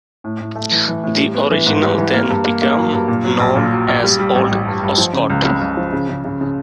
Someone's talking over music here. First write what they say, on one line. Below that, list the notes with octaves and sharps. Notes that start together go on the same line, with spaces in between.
The original then became known as Old Oscott.
A2
A2
A3
E3
E3
A2
G3
B3
E3
G#2
G3
E3
A#3
G2
A#3
A#3
F#3
G2
A#2
F#3
A#1
A#2
F#3
A#1
G3
G3
A1
A1
G2
G2
F3
C#3
C#2
C#2
C#2
F3
C#3
C#3
C#3
C#3